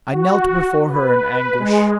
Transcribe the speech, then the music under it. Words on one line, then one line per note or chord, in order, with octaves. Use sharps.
I knelt before her in anguish.
F#4
B4
G#3